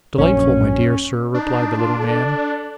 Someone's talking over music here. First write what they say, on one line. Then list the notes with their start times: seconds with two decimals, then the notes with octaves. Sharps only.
'Delightful, my dear Sir,' replied the little man.
0.18 A#1 F#2 C#4
1.34 D4 D#4
1.77 F4
1.99 A4